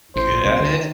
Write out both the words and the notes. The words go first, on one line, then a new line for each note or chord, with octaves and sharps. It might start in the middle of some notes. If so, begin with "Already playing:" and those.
good at it,
A1 A2 C5
A#1 A#2
C2 C3 C5
D2 D3
D#3